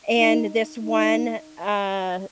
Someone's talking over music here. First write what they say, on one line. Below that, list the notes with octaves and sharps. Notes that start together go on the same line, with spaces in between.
in this one, uh,
D#4
D#4